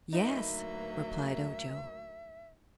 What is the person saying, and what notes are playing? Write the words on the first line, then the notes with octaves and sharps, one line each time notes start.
"Yes," replied Ojo.
D2 F#3 A#3 D#4 B4 E5